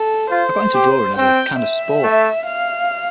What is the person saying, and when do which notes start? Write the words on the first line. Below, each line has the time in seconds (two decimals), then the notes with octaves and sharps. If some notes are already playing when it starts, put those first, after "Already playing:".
I got into drawing as a kind of sport.
Already playing: A4
0.31 F4 C5
0.74 G4
1.16 C4 G5
1.60 E5
2.03 A3
2.46 F5